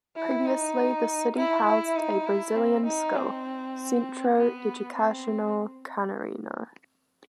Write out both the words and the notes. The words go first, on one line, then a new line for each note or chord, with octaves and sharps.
Previously the city housed a Brazilian school, Centro Educacional Canarinho.
E4
D#4
E4
E4
D#4
E4
C4
D#4
C4
B3
C4